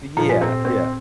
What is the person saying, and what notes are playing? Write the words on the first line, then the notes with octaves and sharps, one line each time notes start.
Yeah, yeah.
A#2 F3
G#2
A#2 C4
C4